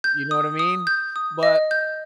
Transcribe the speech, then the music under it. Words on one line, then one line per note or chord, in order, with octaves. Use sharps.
You know what I mean? But
G6
D#6
D#6
G6
D#6
D#5
G6